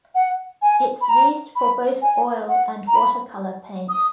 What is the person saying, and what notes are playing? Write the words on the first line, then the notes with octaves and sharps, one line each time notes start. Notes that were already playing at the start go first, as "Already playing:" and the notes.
It's used for both oil and water color paint.
F#5
G#5
B5
A#5
B5
G#5
F#5
A#5
B5
D#6